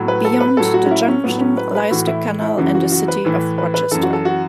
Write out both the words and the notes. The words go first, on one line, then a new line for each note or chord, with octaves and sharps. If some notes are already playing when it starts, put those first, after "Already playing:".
Beyond the junction lies the canal and the city of Rochester.
Already playing: A2 F#3
B4
A4
B4
A2 F#3 A4
F#4
C#4
E4
C#4
A2 F#3 B3
C#4
B4
B4
A2 E3 F#4
E4
E4
F#2 C#3 E3 F#4
F#4
F#4
B4
A2 E3
B4
B4
F#2 E3 A4
F#4
A4
F#4